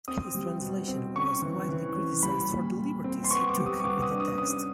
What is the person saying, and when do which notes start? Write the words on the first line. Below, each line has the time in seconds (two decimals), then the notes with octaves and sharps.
His translation was widely criticized for the liberties he took with the text.
0.08 C4 D#6
0.35 G3
0.61 B2
0.88 C4
1.15 C#4 C#6
1.42 E3
1.69 E3
1.96 C#4
2.23 G3 B5
2.50 A#2
2.77 A#2
3.04 C4
3.24 C6
3.31 B3 C#6
3.49 D6
3.58 G3
3.66 D#6
3.80 C#6
3.84 B3 D6
4.02 D#6
4.11 D4
4.20 D#6
4.38 C#4 D#6